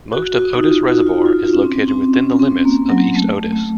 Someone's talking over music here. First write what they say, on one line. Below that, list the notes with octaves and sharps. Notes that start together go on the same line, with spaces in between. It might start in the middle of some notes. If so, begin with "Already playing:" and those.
Most of Otis Reservoir is located within the limits of East Otis.
F#4
F#4
D#4
F4
F#4
F#4
F4
F4
C#4
C4
C4
C#4
C4
A#3
F#3
A3
A3